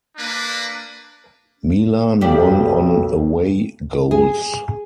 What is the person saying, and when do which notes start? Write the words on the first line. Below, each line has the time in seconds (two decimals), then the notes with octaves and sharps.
Milan won on away goals.
0.16 A#3 D4 B4
2.21 B1 F2 G4 D5
4.11 G#4